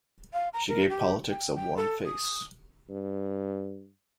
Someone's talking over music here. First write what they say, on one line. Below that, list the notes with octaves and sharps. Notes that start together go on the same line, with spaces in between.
She gave politics a warm face.
F5
A#5
A#4
G4
G5
G5
A4
D#6
G2